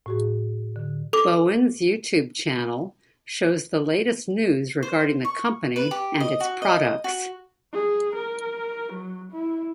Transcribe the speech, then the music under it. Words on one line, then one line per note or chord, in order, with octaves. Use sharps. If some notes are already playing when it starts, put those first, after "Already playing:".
Bowens YouTube channel shows the latest news regarding the company and its products.
A2 F#4 G#4
D3
A4 D6
C5
C#6
B4
G4
D#5
F#4
D#5
F#4
G#4
A#4
F#3
E4